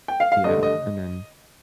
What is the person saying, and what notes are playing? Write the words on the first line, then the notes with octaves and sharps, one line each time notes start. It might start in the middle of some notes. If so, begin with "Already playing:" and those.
yeah. And then
G5
F5
F5
G2 D3 A3 D#5
D#5